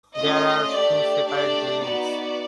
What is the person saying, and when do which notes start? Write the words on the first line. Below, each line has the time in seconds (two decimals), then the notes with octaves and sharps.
There are two separate buildings.
0.15 A3 C#4 F4 D#5
0.70 A3 D4 G4 D5
1.25 A3 D4 G4 D5
1.81 B3 D#4 F#4 D5